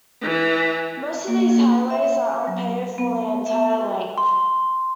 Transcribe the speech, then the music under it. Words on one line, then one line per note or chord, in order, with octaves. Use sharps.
Most of these highways are unpaved for their entire length.
E3
A#3
E5
F#3
B3
E5
C6